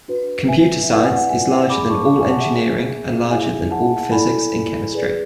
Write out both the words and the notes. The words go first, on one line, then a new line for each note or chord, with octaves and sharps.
Computer science is larger than all engineering, and larger than all physics and chemistry.
D4 F#4 B4
E5 G#5
E5
E4 B4 D5 F#5
G#5
F#5
E5 G#5
G#4 D5 B5 D6
A5 C#6
E5 G#5
F#5 A5
E5 G#5
G#4 C#5
E4 G#4 C#5 E5 G#5
F#5 A5
E4 A4 D5 G#5 B5
G#4 B4 D5